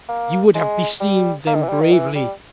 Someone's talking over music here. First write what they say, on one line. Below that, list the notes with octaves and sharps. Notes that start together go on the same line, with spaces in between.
You would have beseemed them bravely.
A#3
G#3
G3
A#3
D#3
E3
G3
D#3
E3
G3